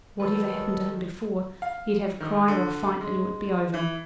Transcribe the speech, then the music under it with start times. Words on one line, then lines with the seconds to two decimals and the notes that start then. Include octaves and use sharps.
Whatever happened to him before he'd have a cry or a fight, and it would be over.
0.20 D#3 F#3 A4 B4
1.62 F5
2.20 D#3
2.48 D3
3.01 G#3
3.74 E3